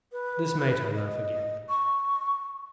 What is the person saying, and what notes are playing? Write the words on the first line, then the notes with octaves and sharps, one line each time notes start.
This made her laugh again.
B4
D#5
C#6